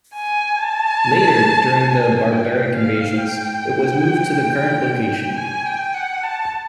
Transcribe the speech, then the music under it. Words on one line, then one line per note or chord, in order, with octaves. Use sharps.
Later, during the barbaric invasions, it was moved to the current location.
G#5
A5
G#5
G5
F5
G5
G#5
G5
F#5
A5